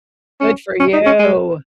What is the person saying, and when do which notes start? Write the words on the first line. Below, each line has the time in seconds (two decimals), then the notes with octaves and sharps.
Good for you.
0.40 C#4
0.80 C#4
0.93 D#4
1.06 C#4
1.20 G#3